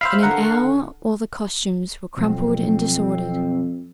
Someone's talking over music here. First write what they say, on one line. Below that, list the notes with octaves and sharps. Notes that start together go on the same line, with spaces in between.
In an hour, all the costumes were crumpled and disordered.
C5 E5 F5 B5
D3 A#4 F#5
F2 B2 F3 F#3 C4